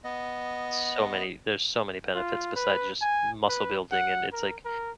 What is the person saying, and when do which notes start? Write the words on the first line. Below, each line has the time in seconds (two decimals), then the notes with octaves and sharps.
so many there's so many benefits besides just muscle building, and it's, like,
0.04 B3 D#5
2.15 F4
2.56 B4
3.02 G#5
3.49 B4
3.92 F#5
4.33 A#4
4.65 A#4